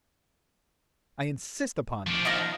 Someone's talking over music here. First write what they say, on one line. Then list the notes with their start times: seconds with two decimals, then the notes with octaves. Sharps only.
I insist upon that.
2.07 F3 D4
2.25 D#4 F4 A#5